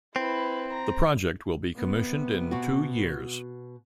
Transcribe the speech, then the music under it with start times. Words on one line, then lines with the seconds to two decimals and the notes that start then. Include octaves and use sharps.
The project will be commissioned in two years.
0.16 C4 E4 B4
0.73 A#5
1.76 C3 B3
2.51 B2 F#4